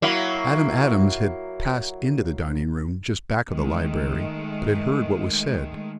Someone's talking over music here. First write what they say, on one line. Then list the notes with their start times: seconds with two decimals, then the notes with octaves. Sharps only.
Adam Adams had passed into the dining room, just back of the library, but had heard what was said.
0.02 F#3 A#3 E4
3.50 D#3 G#3 A3